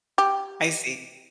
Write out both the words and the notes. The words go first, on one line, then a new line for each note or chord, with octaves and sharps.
I see.
G4